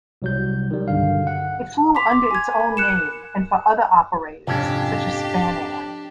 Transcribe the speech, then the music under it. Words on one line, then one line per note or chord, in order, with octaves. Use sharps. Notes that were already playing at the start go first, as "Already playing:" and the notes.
It flew under its own name and for other operators such as Spanair.
C2 F#3 G6
D#3 G3
B1 G2 D3 F5
F#5
C6 D6 B6 F7
D6
G#5 G#6
A#4 B5
F#6 C#7 E7
F2 G#2 C3 C#4 D4 G4